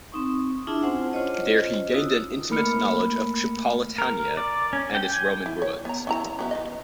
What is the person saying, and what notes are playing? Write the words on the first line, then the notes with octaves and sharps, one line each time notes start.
There he gained an intimate knowledge of Tripolitania and its Roman ruins.
C4 D#4 C#6
D4 E4 F4 G#4 E5 A5
C4 C#4 F4 C5 F#5 G#5
C#4 F4 C5 C#5 D#5
D#4 F4 F#4 E6
A3 A#3 A#4 B5 F6 C#7
A#4
D5
C#4
G5
G#5
E4
C#5
B3 A#5
C#4 E4 A#5
F#3 B3 E4
D#3 B4 D#5